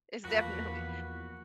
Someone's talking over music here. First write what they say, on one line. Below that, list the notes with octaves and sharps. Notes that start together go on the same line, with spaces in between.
It's definitely
E2 F3 A#3 F#4 B4